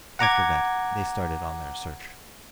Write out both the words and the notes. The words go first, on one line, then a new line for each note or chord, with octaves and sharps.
After that, they started on their search.
F#5 A#5 D6 G#6